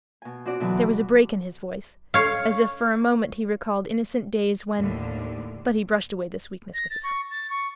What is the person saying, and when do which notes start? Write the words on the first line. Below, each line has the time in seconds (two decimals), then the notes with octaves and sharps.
There was a break in his voice, as if for a moment he recalled innocent days when--but he brushed away this weakness with his hook.
0.22 B2 G#5
0.45 C4 D4 F#4 D5
0.60 B2 D3 E3 F#3
2.14 C#5 F5
4.77 D#2 A2 D3
6.74 A#6
6.90 A6
7.04 C#6
7.31 A6
7.50 C#6